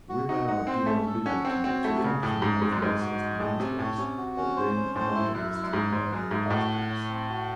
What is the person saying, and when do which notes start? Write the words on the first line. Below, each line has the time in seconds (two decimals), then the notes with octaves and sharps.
Women are given liberty to function as Licensed Ministers, Ordained Evangelist, and Pastors.
0.09 F#4
0.28 D#4 F#4
0.47 D#4 F#5
0.67 C4 C5
0.86 A3 C#4
1.07 A4
1.26 C#4 F#5
1.45 C4 C#5
1.64 C4 F#4
1.84 A3 E4
1.96 C3
2.03 C#3 C#4
2.23 A2 G#4
2.42 G#2 C#4
2.62 G#2 C4
2.72 F#2
2.82 G#2 G#3
3.01 F#4
3.20 G#3
3.39 A2 G#4
3.59 C3 C#4
3.79 A2 C#5
3.98 C3 C#4
4.17 F#4
4.37 C#4
4.56 C5
4.75 C#4
4.95 A2 C5
5.15 E4
5.34 F#2 E5
5.54 E4
5.64 F#2
5.73 G#2 C#4
5.92 G#2 C5
6.12 F#2 G#4
6.31 G#2 A3
6.50 A2 F#4
6.71 F#5
6.90 C#5
7.09 C4
7.29 F#4